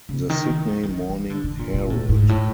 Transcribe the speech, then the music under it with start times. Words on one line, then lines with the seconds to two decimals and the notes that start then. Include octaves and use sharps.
The Sydney Morning Herald.
0.09 C#3
0.30 D#3
0.50 E3
0.69 F3
0.83 D#3
0.89 E3
1.09 E3
1.30 D3
1.44 D3
1.59 A#2
1.74 A#2
1.90 A2
2.09 G#2
2.29 A2